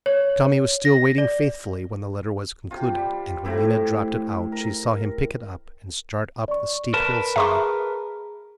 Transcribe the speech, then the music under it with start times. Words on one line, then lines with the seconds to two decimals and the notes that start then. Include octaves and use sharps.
Tommy was still waiting faithfully when the letter was concluded, and when Lena dropped it out she saw him pick it up and start up the steep hillside.
0.06 C#5
0.85 A#6
1.18 D5
2.71 C3 F4
2.95 G3
3.45 A2 C3 C4 E4
4.52 A#4
6.48 D5 C#6
6.94 A#4 B4 A5
7.36 G#4 E5 A#5 C6 C#6